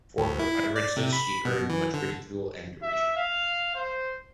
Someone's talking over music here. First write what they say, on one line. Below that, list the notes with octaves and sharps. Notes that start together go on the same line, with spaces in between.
For her utterances she earned much ridicule and derision.
D2
E4
D5
C3
B5
B2
E3
D3
E5
F5
C5